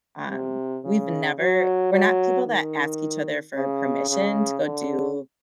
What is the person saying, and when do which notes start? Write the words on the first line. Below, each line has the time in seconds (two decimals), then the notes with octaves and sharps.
um, we've never we're not people that ask each other for permission to go do
0.31 C3
0.85 C#3
1.39 F#3
1.93 F#3
2.48 D#3
3.56 C#3
4.09 C#3
4.63 D3